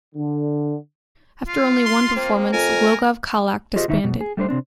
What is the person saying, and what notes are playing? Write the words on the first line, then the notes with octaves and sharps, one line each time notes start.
After only one performance Glogov Kolac, disbanded.
D3
F4
C6
A#3 C4
F2 A#4 G#5
F4 G4 G#4 C5 D#5
E2 D#3 D#4 E5
F#2 B2
G#4
G3 A3 D4 B4 C5
C3 C4 D4